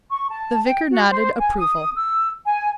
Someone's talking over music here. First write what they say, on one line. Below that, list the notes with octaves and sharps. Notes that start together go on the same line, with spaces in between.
The vicar nodded approval.
C#6
A5
G5
F#4
C5
G#5
D#6
E6
G#5